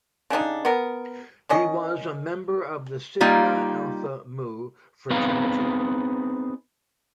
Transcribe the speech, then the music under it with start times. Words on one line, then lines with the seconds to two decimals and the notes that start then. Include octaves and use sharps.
He was a member of the Sigma Alpha Mu fraternity.
0.30 C#3 G3 D4 D#4
0.65 B3 A#4
1.49 D#3 C#4 D#5
3.21 G3 A#3 D#4 F4
5.10 B3 C4 D#4 G#4 B4 F5